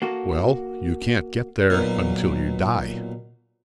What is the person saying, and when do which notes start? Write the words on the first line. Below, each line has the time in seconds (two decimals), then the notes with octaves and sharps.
"Well, you can't get there until you die."
0.02 A#3 F#4 A4
1.70 B1 A#2